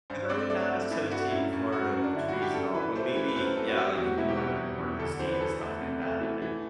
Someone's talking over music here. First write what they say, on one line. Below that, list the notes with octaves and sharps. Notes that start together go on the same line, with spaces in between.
'Cause I would not associate Florida with trees at all, but maybe, yeah, like, in the northern part of the state and stuff like that, I
G2 C5
C4 D5
A3 D5
A3
G2 E4
A3 F#4
F#2 E4
F#2
F#2 F#4
F#2
D4
D3 E4
G3 F#4
G4
F#2 A4
E3 B4
A3 C5
E3 B4
B4
F#2 C5
C4 A4
F#4
F#3 G4
E2 F#4
B2 E4
G4
B2 F#4
E2
E2
D2 A4
E3 C5
B4
E3 A4
A3
C3
A3
E3
E3